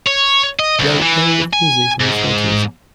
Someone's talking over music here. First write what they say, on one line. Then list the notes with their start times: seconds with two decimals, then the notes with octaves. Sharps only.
Play Arif music from the fourties.
0.07 C#5
0.59 D#5
0.79 C2
1.02 E3
1.53 G#5
2.00 G#2